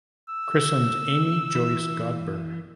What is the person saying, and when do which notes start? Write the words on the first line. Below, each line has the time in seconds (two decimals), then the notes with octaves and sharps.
Christened Amy Joyce Godber.
0.28 E6
1.55 E3